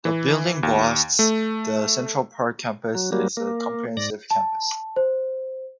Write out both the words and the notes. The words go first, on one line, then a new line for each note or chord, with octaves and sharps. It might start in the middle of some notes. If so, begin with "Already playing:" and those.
The building boasts The Central Park Campus is a comprehensive campus.
E3
D#2
A3
F#3
F#3 G3 A#3
A#3
G#2 D5 A#6
A5
C5